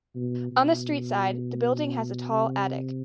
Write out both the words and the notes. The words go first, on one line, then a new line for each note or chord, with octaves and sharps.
On the street side, the building has a tall attic.
B2
B2
C3